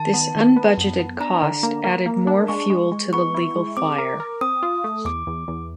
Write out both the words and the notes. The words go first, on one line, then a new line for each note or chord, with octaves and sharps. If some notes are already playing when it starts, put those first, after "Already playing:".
This unbudgeted cost added more fuel to the legal fire.
Already playing: D#3 A5
B3
D#3
B3
F#2
B3
D4 A#5
D3
A#3
A#3
A#3
D4
G#3 C#6
G#3
G#3
B3 C#6
E4
G#3
C4 D6
A#4
A#4
C4 D#6
F4
A3
E2 D6
E2
E2